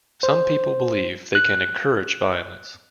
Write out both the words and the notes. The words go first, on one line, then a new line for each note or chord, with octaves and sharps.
Some people believe they can encourage violence.
C5
F#6